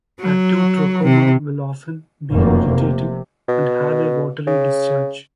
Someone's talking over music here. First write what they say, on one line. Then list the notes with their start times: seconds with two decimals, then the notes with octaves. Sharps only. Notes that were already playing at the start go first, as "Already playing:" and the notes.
Active trachoma will often be irritating and have a watery discharge.
0.21 F#3
1.04 C3
2.30 F1 F#2 A#3
2.73 C3
3.48 B2
4.47 C#3